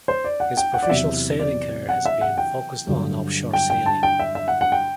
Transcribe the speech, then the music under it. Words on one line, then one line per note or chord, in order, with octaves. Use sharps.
His professional sailing career has been focused on Offshore sailing.
C5
D5
F#5
G5
F#5
D5
E2 C3 F#3 E5
D5
F#5
E5
F#5
G5
G2 D3 F#3
G5
G5
A5
G5
E5
E5
F#5
F#5
G5